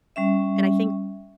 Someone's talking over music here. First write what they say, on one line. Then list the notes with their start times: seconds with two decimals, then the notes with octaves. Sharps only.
and I think
0.16 G3 C#4 E5